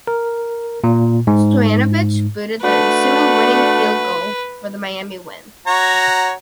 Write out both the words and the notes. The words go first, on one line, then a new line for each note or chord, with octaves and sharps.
Stoyanovich booted the ensuing winning field goal for the Miami win.
A#4
A#2
G#2
A3 D4 F#4 B4
F#4 C#5 A#5